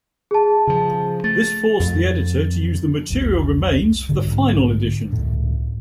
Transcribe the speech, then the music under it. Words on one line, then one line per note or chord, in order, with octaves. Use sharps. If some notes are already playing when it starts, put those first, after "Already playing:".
This forced the editor to use the material remains for the final edition.
G#4 A5
C#3 F3
A3 A6
F2
F1 C2
B1 G#2 D3
C#2 A2